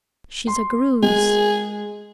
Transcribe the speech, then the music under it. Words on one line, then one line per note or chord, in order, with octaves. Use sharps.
She's a Greuze.
C6
G#3 G#4